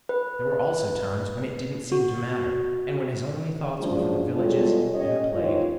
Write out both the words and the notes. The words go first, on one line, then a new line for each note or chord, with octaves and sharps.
There were also times when it didn't seem to matter, and when his only thoughts were for the villages and the plague.
B4
F#4
A#2 F3 F#3 G#3 C#4 D4
E2 G3 G#3 F4 A4 C#5
C#4 G4 C#5 D#5
G#2 D#3 E3 F4 C5 C#5